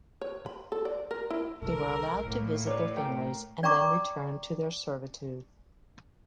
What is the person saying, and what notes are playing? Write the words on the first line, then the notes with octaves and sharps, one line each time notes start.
They were allowed to visit their families and then return to their servitude.
C#5
B5
A4
D5
A#4
E4
C2 A4 A#4
A2 C#3 A#3
B4 C#5 D5
A#4 G5
D5 G5 A#5 C#6 D6